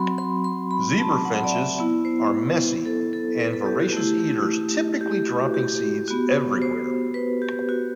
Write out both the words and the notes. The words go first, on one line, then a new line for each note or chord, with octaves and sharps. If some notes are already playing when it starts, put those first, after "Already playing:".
Zebra finches are messy and voracious eaters, typically dropping seeds everywhere.
Already playing: F#3 C4 F#4 B5 C6
C6
C6
B5
A5
F#5
D5
E5
B3 E4
C5
A4
A4
B4
A4
G4
F#4
A3 E4 G4
G4
G4
F#4
G4
B3 F#4
C5
B4
G4
F#4